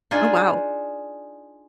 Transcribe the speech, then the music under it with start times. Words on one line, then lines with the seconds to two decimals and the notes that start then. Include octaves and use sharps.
Oh, wow.
0.11 D4 D#4 F4 G#4